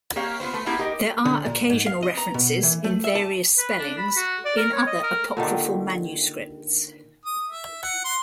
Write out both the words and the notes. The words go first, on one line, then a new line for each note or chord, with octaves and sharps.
There are occasional references, in various spellings, in other apocryphal manuscripts.
A#3 G4 C#5 F5
B3 F4 B4 C5
A3 B4
A#3 B3 E4 G4
D#4 G4 A#4 D#5
D3
A#2
G#2
F5
D#5
A#5
B2
E3
A3
E5
A5
B4
D4
B5
F#4
D5
A#4
C#5
D#5
A#4
A#2 D3 D#3 G4
D#6
E5
F#5
C6